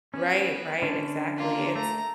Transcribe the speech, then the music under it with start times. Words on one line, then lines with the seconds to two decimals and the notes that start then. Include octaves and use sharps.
Right, right, exactly, it's
0.14 B3 C#4
0.82 D3 C#4 D4
1.37 A#3 F4
1.75 A3 A#5